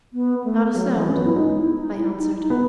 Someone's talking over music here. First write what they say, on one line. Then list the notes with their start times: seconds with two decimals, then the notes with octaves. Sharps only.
"Not a sound!" I answered.
0.13 B3
0.44 A3
0.74 F#3 A3
0.95 E3
1.09 C#4
1.16 F#3 B3
1.26 E4
1.36 G#3 D#4
1.57 E4
1.77 D#4
1.98 E4
2.18 D#4
2.39 D#4
2.50 B3